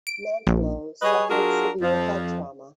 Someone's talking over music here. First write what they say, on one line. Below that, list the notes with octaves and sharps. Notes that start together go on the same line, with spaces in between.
Mantlo suffered severe head trauma.
D7
A#1
G3 G#4 B4 C#5 D#5
F#3 D4 F4 F#4 G#4 A#4
F2 F3